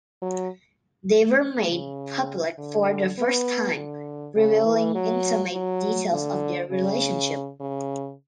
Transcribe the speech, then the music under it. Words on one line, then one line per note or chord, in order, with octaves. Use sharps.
They were made public for the first time, revealing intimate details of their relationship.
F#3
C#3
D3
B3
D3
C#3
E3
F#3
F#3
D3
C#3
C#3